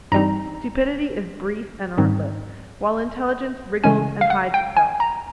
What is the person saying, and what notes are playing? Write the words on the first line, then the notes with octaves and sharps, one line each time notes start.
Stupidity is brief and artless, while intelligence wriggles and hides itself.
G2 E3 G3 C4 D#4 A#5
G#2 D#3 G3 C4 D#4
C#3 E3 G#3 C#4 G#5
F5
F#5
G5
G#5
A#5